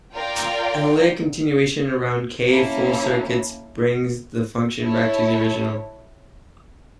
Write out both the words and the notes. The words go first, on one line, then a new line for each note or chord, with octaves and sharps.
Analytic continuation around "k" full circuits brings the function back to the original.
F4 A#4 D5 G5
A#3 C#4 E4 A4
E4 A4 C#5